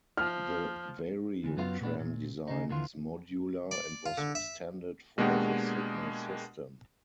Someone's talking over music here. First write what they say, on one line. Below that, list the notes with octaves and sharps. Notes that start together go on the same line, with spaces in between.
The Variotram design is modular and was extended for the Sydney system.
F3 F6
D2 E3
F#2 F#3 B3 F4 G#4 F5
A#2 A3 B3 D4
A#2
C#3 D#4
D#2 D3 E3 F4
D5
F4
D3
E5
B2 G#3 A#3 D4 F#4 G4